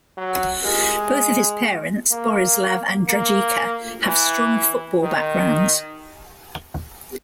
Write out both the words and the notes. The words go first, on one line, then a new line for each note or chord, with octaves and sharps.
Both of his parents, Borislav and Dragica, have strong football backgrounds.
F#3
G#3
A#3
A#3
E3
D#3